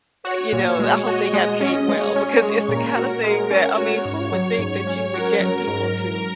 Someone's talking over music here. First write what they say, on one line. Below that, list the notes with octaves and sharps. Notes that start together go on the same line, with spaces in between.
you know, I hope they got paid well, because it's the kind of thing that I mean, who would think that you would get people to
F#4 C#5
A#2
G#3
F#4 D#5
G#3
C#4
G#3 C#5
C#4
G#3
A#2 A#4
F#4
G#3
C#4 C#5
F#4
G#2
F#3 C#5
G#2
C#4
F#4 A#4
F#3
G#2